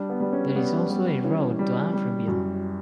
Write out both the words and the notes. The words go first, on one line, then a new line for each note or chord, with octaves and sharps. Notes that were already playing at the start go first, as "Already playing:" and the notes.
There is also a road to Amfreville.
Already playing: G3 D4
B3
G3
C#4
G3 B3
G3 B3
E3 C#4
G3
G3
F#2